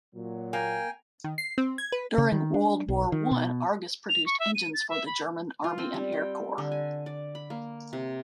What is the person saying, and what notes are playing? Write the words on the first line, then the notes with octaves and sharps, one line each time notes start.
During World War One Argus produced engines for the German army and air corps.
A#2 F#3
A#3 G5 G#5
D#3
C7
C4
G#6
B4
C#3
D#3
D4
B1
D#3
B2
F7
C#6
E5
D#7
A6
E5
B5
F4
C4
G3
G5
D3
G#5
D5
B5
A#3
C3